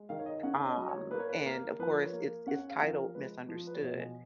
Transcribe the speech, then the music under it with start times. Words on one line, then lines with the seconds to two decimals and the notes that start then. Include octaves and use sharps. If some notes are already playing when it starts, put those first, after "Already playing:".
um, and, of course, it's it's titled Misunderstood.
Already playing: G#3
0.09 D#3 F5
0.19 C#5
0.26 D#5
0.43 C#4 F#5
0.62 C#5
0.66 D#5
0.77 F#3
0.88 C#5
1.11 A#3 B4
1.19 C#5
1.29 B4
1.46 A#3 A#4
1.79 F3 B4
2.02 C#5
2.13 A#3
2.46 C#4 F#5
2.70 F5
2.82 F3
2.92 A#4
3.15 G#3 B4
3.49 F3
3.67 B4
3.75 C#5
3.83 B2 D#5
3.99 G#5